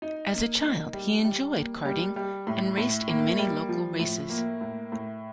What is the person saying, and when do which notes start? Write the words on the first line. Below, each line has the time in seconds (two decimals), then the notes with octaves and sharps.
As a child he enjoyed Karting and raced in many local races.
0.02 D#4
0.33 A#3
0.63 D#4
0.93 G3
1.24 G3
1.54 A#3
1.85 G3
2.16 G3
2.47 A2
2.77 A2
3.08 A#3
3.39 G3
3.69 F3
3.99 A2
4.30 A#3
4.61 A2
4.92 A2